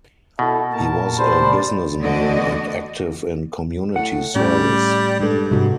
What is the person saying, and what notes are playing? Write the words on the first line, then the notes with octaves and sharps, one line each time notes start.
He was a businessman and active in community service.
B2 E4 A4
A#2 A#4 A5
G4 C5 D5 B5
E2 D3 A3 F#4 D5 D#5
A2 F#5
A2 G3 C#4
G2 G#3 A4
F2 G#2 C3 F#4